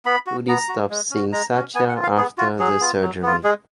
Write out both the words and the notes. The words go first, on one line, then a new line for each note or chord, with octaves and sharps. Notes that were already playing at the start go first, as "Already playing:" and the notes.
Sudhi stops seeing Satya after the surgery.
B3 B5
F#4
B3 A#5
F#4
G#3
C#4 F#4
G#3 A#5
C#4 F#4
B3 G#5
F#5
F4
F5
B3 G#4
F4 F#4
F#3 G#4
B3 F4
F#3
B3 F4
G#3 G#4